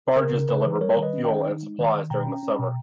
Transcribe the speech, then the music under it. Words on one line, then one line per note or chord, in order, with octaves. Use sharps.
Barges deliver bulk fuel and supplies during the summer.
C#3 A#4
C#3
C#3 B4
E3
G3 A#4 C#5
D#3
B4 D#5
C#4
D#5 G5
D#3
D#4
G#3
D#3
D#3
B2 G5 A#5
C#4
C#4
B2